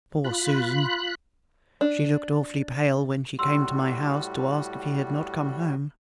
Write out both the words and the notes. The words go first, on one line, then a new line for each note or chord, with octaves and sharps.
Poor Susan! she looked awfully pale when she came to my house to ask if he had not come home.
F4 B5 F#6
D4
A2 G3 F#4 C6 E6